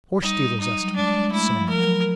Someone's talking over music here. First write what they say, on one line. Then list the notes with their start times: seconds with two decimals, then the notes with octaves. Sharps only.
Horse-dealer's estimate, so much.
0.23 G3 D#4
0.59 D#4
0.80 F#3
0.88 G3
0.95 G#3 D4
1.14 G#3
1.32 A3 E4
1.44 G3
1.56 F3
1.68 F3 A#4
1.80 F#3